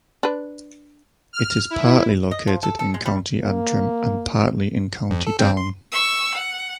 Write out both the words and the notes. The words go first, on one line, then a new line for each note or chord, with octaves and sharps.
It is partly located in County Antrim and partly in County Down.
D4 B4
F6
E4
D#5
F3
A4
A4
G#3
G3
A#3
F2
A4
G2 C4 G5
C6
C#6 E6
F#5